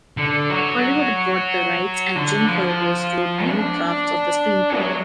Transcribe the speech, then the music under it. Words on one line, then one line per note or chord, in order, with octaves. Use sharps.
Hollywood brought the rights and Jim Fergus wrote many drafts of the screenplay.
D3
F#3
D3
F3
D4
F#3